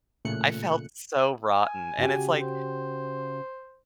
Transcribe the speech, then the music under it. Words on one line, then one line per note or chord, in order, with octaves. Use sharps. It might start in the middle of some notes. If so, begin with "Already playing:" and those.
I felt so rotten. And it's like,
A1 A#2 C#3 A3 F#6 C#7
G#5
C#3 F#4 G4
C5